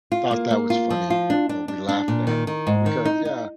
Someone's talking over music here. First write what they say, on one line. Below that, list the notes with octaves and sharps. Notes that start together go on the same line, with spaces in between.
thought that was funny or we laughed at because yeah,
F4
A#3
A#3
F4
F3
F4
D4
D4
D4
D4
A#2
D#3
D#3
G#2
D#3
D#4
D#4